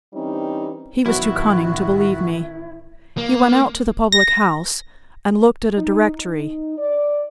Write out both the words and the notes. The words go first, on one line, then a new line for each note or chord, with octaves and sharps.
He was too cunning to believe me; he went out to the public-house and looked at a directory.
E3 G3 C4 C#4 D#4
A1 A2 D#3 F#3 B3 E4 F#4
A#3
A#6
D#4
D#4
D5